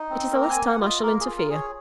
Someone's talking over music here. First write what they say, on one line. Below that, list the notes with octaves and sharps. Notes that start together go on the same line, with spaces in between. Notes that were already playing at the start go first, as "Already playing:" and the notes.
It is the last time I shall interfere.
Already playing: D#4
C4
A#3 A#4
A#5
A#3 G#5
F#5
F4
D#5
A#3 A#4
G#4
F4
A#4
G#4 C#5